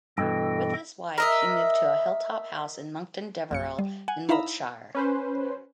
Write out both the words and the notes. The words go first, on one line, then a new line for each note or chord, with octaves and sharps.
With his wife he moved to a hilltop house in Monkton Deverill in Wiltshire.
G2 B2 E3 A4 D#5 G5
A#4 D#5 E5
A#1 F#2 C#7
G3
F#5 G#5
D#4 E4 E5 F5 A#5 B5
C#4 B4 C5